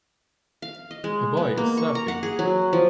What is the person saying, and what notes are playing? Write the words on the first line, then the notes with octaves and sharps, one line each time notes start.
A boy is surfing.
F5
D#5
G#3
B3
A#3
C#6
A#5
F#5
G#4
F#3
F3